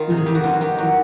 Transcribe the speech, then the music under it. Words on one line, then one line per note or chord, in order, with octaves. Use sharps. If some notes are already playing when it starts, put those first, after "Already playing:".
Mhm, mm.
Already playing: D#3 F4
C3
G#4
F2 G4
F#4
G2 F4
F#4
D#3 G4
F#3 F#4